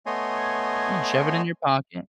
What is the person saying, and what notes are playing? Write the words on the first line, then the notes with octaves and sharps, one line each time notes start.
Yeah, shove it in your pocket.
A3 B3 C#5 D#5 G#5 C6